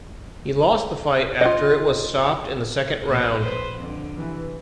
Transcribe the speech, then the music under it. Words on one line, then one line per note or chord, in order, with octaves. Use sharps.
He lost the fight after it was stopped in the second round.
F4 D#5
A#1 A#3 B4
B4 C5
F2 D3
C3 E3